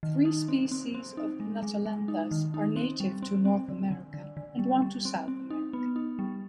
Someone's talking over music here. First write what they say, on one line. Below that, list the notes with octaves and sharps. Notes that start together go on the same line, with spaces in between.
Three species of "Nuttallanthus" are native to North America and one to South America.
D#3
D#4
C4
C4
C4
D#4
G#3
G#3
G#3
D#4
D#3
D#4
C4
G3
C4
C4
D3
D3
D3
D3
G3
G3
C4
C4
D#4
B3
D#4
G3